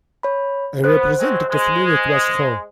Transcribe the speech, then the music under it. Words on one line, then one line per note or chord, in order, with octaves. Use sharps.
A representative lyric was Ho!
C#5 B5
B3 C5 F#6
F#3 G#3 C4
G#3